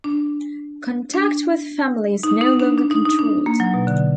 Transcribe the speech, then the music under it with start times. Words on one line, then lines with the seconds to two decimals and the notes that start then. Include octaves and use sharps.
Contact with family is no longer controlled.
0.04 D4
1.14 D4
2.23 D#4
2.41 D#4
2.60 D4
2.78 D4
2.91 D#4
3.05 D#4
3.19 D4
3.46 A#3
3.60 F#3
3.74 B2
3.87 D3